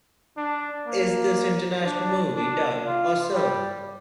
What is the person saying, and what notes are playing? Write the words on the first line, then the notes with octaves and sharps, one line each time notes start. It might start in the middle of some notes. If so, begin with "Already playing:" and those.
Is this international movie dubbed or subbed?
D4
A#3
D4
D4
F4
G3